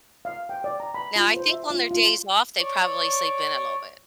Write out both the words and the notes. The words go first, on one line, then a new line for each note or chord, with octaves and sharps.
Now, I think on their days off, they probably sleep in a little bit.
F5
G5
D5
A#5
B5
F4
C5
E5
F4
F4
C#5 D5